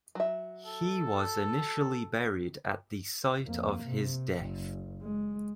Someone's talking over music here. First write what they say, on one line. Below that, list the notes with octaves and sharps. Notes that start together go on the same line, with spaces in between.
He was initially buried at the site of his death.
F#3 E5
A4
F2 A#3
C3
F#1
G#3